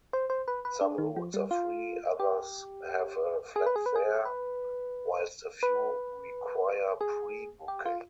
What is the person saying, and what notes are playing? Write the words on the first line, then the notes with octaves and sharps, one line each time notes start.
Some routes are free, others have a flat fare, whilst a few require pre-booking.
C5
C5
B4
B4
D4
D#3
F3
G3
F4
G4
G#4
B4
G#4
B4
G#4
B4
B4
G#4
G4
F4